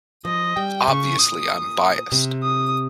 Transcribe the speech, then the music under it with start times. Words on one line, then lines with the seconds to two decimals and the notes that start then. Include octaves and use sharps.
Obviously I’m biased.
0.25 F3 D#5
0.57 G3 G5
0.88 C#3 C#6
1.18 A#2 D#6
2.12 C3
2.43 D#6